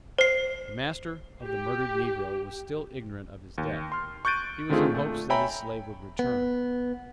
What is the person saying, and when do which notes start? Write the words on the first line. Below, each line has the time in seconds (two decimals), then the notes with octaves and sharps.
The master of the murdered negro was still ignorant of his death; he was in hopes that his slave would return.
0.19 C5 C7
1.42 G4
3.58 D#2
3.92 C6 F6
4.25 C#6 F#6 G6 A6 D7 D#7
4.69 D3 D#3 A3 C4 F4 G#4
4.92 A#2 A3
5.30 C#5 E5 G5 G#5 A#5 B5
6.19 B3